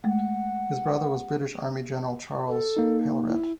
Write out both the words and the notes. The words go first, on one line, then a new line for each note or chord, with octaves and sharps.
His brother was the British Army general Charles Palairet.
G#3 A3 F#5
A4
A#3 D#4
E4